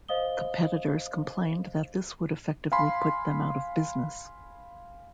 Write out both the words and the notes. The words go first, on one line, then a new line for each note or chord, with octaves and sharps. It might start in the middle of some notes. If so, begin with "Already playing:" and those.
Competitors complained that this would effectively put them out of business.
C5 D#5 F5 D#6 G7
F5 G#5 B5 C6